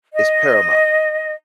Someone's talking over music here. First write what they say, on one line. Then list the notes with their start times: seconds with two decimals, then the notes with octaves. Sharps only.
is paramount.
0.13 D#5